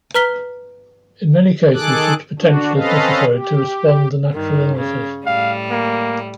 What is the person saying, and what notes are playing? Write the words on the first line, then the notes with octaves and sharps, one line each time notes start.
In many cases such potential is necessary to respond the natural illnesses.
B4 A#5 F6 B6 G7
D#3 G#4 A4 D6 F#6
D3 D4 F#4
C4 C#4 A4 B4 D#5 F5
G4
G2 D#3
C#3
A2 G3 F5
A#3